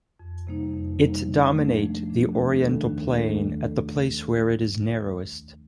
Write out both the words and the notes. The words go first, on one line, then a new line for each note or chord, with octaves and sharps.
It dominate the oriental plain at the place where it is narrowest.
F2
C3 G3 A#3 D#4
F2
C3 G3 A#3 D#4
F3
A3 D4
F3
A3 D4
D#2
D#3 A3 D4 A4
D#2
D#3 A3 D4 A4